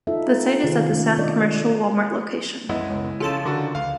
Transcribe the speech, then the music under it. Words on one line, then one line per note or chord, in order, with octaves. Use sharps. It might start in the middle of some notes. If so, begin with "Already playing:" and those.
The site is at the South Commercial Wal-Mart location.
D#4 F4 A4 E5
C3 D#3 B3 F4 G#4
A3 C#4
B2 A3 D4 D5 D#5
B1 F#2 G#3 B3 E4 D#5 F#5
C#2
C#3 F3 C#4 F4 G#4 A4 A5
D3 D4 F#4 A4 A#4
C#2 F5